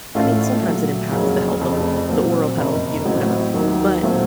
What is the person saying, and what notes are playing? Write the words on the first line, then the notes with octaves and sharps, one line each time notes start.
I mean, sometimes it impacts the health of the the oral health, you know, whatever, but
A1 A2 A3 C#4 F4
A#2 F#3 A3
F2 C#3 F#3 A#3 C#4
F1 F2 C#3
A#2 F#3 C4
F#1 F2 C3
A1 A2 F#3 C4
D#2 D#3 F#3
A#2 F#3 A3 C4 F4